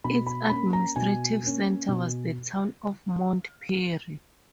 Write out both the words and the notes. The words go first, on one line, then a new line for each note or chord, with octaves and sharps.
Its administrative centre was the town of Mount Perry.
B2 B5
B5
A#3 C#4 B5
A#5
B2 G#5
A#3 C#4
B2